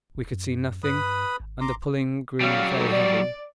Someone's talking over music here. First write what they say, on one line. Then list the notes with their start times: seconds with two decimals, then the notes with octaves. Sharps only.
We could see nothing, and the pulling grew very heavy.
0.15 E1
0.33 F#2
0.83 G2 B4 B5 D#6
1.40 G#1
1.61 A#5 C6 D6
2.41 C#3 F#3 G3 F5
2.75 D#2 G#2 A3
2.92 D5